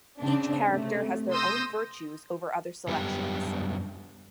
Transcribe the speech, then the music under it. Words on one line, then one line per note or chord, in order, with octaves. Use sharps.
Each character has their own virtues over other selections.
C#3 C4 D4
C3 A3
C6 D#6 E6 G6 A#6
F#2 G3 B3 D4 G4